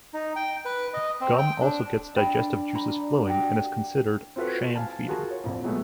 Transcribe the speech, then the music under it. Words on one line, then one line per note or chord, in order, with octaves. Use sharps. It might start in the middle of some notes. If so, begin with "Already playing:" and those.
Gum also gets digestive juices flowing and is considered "sham feeding".
D#4
G5
B4
D#5
C4
G5
D4
D4 D5 G5 B5
A#5 B5
F#4 G4
C4 F4 F#4 A4 B4
F5 G#5 A5
F4 F#4 G#4 A#4 A5
C#5
A#1 F2
B2 F#3 G#3 A3 B3